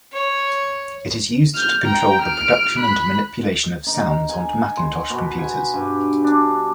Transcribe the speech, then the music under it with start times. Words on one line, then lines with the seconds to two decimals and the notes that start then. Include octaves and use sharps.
It is used to control the production and manipulation of sounds on Macintosh computers.
0.12 C#5
1.55 F6 G6
1.86 G5 A#5
2.22 F6 D7
2.79 B5 F#6
3.87 D#4
4.29 G#5
4.77 C6
5.10 B2
5.38 G#5
5.74 G2
6.24 D4